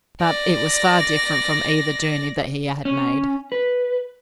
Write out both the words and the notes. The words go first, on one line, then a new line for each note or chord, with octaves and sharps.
But it was far different from either journey that he had made.
D5 A#6
C#4
B4